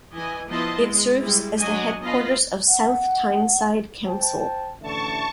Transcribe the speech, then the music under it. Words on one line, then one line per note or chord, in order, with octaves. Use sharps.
It serves as the headquarters of South Tyneside Council.
E3 D#5 G#5
F3 B3 E4 D#5 A5 C6
G#3
G3 G#3 E4
F#3 D4 D#5 F#5 G#5
B3 F4 D#5 F5 B5
F#5
C5 G5 A5
A1 D3 E5 A5 C#6